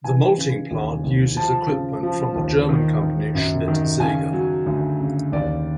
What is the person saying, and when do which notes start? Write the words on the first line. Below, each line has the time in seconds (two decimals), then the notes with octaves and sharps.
The malting plant uses equipment from the German company Schmidt-Seeger.
0.04 E3 G#5
0.38 C#3
0.71 D#2
1.04 D#2
1.37 F3 A5
1.70 C#3
2.03 F3
2.36 D#2
2.69 D#3
3.02 D#3
3.35 F#2
3.68 D#3
4.00 C#3 G#5
4.33 F#3
4.67 D2
5.00 C#3
5.32 D#2 D5